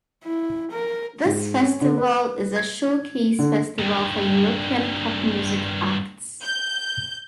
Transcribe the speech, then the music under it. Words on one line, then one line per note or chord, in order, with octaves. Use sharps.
This festival is a showcase festival for European pop music acts.
E4
A#4
G#2
C#4
D3
B4
G#6
D3
G2 D#3
G6